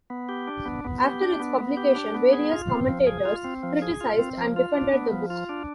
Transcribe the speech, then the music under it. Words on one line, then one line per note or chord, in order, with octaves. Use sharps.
After its publication, various commentators criticized and defended the book.
B3
G4
D4
B3
B3
G4
D4
B3
B3
G4
D4
B3
G#4
F4
C4
F3
G#4
F4
C4
F3
G#4
F4
C4
F3
F4
D4
B3
F3
F4
D4